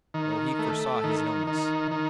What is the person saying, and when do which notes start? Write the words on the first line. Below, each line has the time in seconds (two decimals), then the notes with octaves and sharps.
Oh, he foresaw his illness!
0.14 D#3
0.59 A3
1.04 D#3
1.47 D#3
1.91 D#3